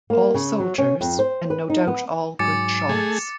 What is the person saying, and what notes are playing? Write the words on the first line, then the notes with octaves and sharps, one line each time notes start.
All soldiers, and no doubt all good shots.
A#3
C#3
F#3
C#4
F2
C5
B4
D#4
B3
G#2 F#3 G#5 D6 A6 C#7
A3 G#4